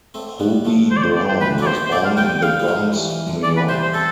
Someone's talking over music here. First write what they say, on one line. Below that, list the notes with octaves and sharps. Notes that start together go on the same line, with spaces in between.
Hobie Brown was born in the Bronx, New York.
A3 C4
G3 B3
F3 A3
C5
D5
C5
D5
C5
E3 B4
A3 C4 D5
C5
B3 D4
C5
A3 C4 D5
F5
G3 B3 G5
G5
G3 B3 F5
B3
F3 A3
E3 G3
E3
D3
E3 D5
B4
E3 G3 C5
C5
A3 C4 A4